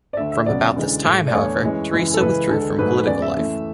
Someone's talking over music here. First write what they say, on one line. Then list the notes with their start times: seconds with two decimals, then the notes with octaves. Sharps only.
From about this time, however, Thrasea withdrew from political life.
0.13 D5
0.17 D2 D3 A3 E5
0.32 E5
0.46 C#2 B2 F#3 D5
0.76 D2 C#3 E3 G#3
1.04 A2 G#3
1.27 D5
1.33 E2 D3 A3 C#5
1.62 F#2 E3 G#3
1.92 F#2 C#3 E3 G#3
2.14 A4
2.20 C#2 C#3 E3 G#3 B4
2.49 D2 D3 G#3 A4
2.78 G#2 F#3 A3 B4
3.07 E2 C#3 G#3 D5
3.22 E5
3.36 F#2 E3 A3